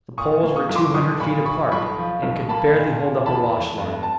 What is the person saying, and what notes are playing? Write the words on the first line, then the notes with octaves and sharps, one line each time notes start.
The poles were two hundred feet apart and could barely hold up a wash-line.
A#2 C#6 D#6
A#3
C#6 D#6
B1
C6 D6
B1 C#6 D#6
A#2 B5 C#6
A#2 B5 C#6
B1 B5 C#6
F3
B1
A#3 A5 B5
A#2
A#2
E2 A5 B5
F1
F1
A5